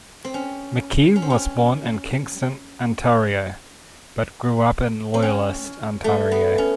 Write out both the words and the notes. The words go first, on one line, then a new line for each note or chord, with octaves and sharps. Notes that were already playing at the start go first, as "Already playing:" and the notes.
McKee was born in Kingston, Ontario, but grew up in Loyalist, Ontario.
C4
C#4
C#4
C4
C#4
C4
C#4
A3
B3
C#4